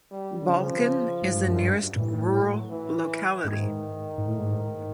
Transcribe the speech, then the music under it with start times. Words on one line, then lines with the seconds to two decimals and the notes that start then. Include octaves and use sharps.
Balkan is the nearest rural locality.
0.11 G3
0.41 D3
0.48 C#3 F3
1.22 G#2
1.35 G2
1.47 F#2
1.59 G2
1.96 A2 E3
2.33 F#3
2.70 E3
3.44 G#2 D#3
4.18 G#2
4.28 A2
4.38 G#2